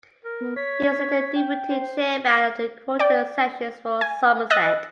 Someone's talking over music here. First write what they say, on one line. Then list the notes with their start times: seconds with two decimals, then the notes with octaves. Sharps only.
He was later deputy chairman of the quarter sessions for Somerset.
0.25 A#4
0.41 B3
0.56 C#5 B6
1.36 G5
1.70 C5
2.99 D5 G5
4.01 G#5
4.50 D#5 E6 F#6 A6 A#6